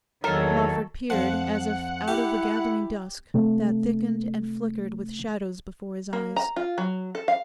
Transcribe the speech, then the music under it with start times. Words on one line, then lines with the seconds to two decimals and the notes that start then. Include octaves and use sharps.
Lawford peered as if out of a gathering dusk, that thickened and flickered with shadows before his eyes.
0.24 E2 D#3 F#3 A#3 A4 A#4 C#5
1.10 F2 F3 F#5
2.08 E4 G4
3.34 C3 A3
6.13 A#3
6.36 A#5
6.56 F4
6.78 F#3
7.15 A4
7.28 F5